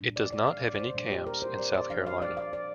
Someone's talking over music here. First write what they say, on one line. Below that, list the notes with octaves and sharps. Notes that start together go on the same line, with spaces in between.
It does not have any camps in South Carolina.
A#2 G3 D4
D5
D5
F5
D5
D5
C5
A#2 G3 D4
G4
A#4
C5
D5
D5
F3 D4 F5
F5
D5
F5
D5